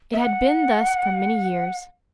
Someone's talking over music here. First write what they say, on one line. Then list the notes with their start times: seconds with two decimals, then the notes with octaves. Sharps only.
It had been thus for many years.
0.13 E5
0.19 F#5